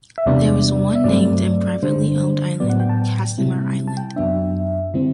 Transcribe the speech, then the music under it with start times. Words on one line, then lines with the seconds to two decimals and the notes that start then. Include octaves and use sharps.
There is one named and privately owned island, Casimir Island.
0.18 E5
0.26 E2 C3 G3 B3 D4 D5
0.95 E5
1.04 G2 F#3 A3 C4 D5
1.83 D3 G3 D4 C5
2.60 A2 F#3 B3 D5
2.70 F#5
2.80 G5
2.89 A5
3.38 C3 G3 C4 E4
3.88 A5
3.97 G5
4.16 F#2 F#3 B3 D4 E5
4.94 D3 G3 C4 E4